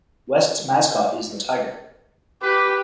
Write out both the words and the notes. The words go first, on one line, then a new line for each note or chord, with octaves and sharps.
West's mascot is the Tiger.
G4 B4 D6